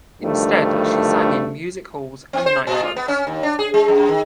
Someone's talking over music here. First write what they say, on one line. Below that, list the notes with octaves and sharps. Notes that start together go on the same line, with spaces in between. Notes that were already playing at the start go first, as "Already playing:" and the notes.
Instead, she sang in music halls and nightclubs.
D2 G2 D#3 F3 A3
C4
C5
A#2
F4
B3
C#4
D#2
D4
G#4
G#3
F#2
D#3